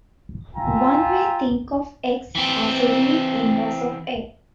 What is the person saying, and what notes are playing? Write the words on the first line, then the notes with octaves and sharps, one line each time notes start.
One may think of "x" as a "weak inverse" of "a".
F4 E5 G5 G#5 A#5
E3 C4